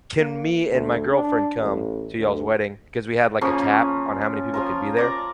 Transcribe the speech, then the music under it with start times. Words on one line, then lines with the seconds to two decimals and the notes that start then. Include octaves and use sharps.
can me and my girlfriend come to y'all's wedding?" because we had, like, a cap on how many people could be there,
0.19 A#3
0.71 D2
1.13 D4
1.59 A1
2.19 D2
3.41 C#3 F3 A#3 C#4
4.54 F3 F4 A#4
4.97 A#4 D5 A#5